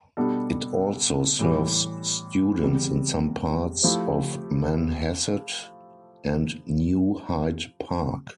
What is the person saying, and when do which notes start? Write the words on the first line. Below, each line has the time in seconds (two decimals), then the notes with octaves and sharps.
It also serves students in some parts of Manhasset and New Hyde Park.
0.17 B2 G3 B3 D4 A4
1.39 A2 E3 G3
2.62 E2 C3 G3
3.83 F3 A3 E4 G4 C5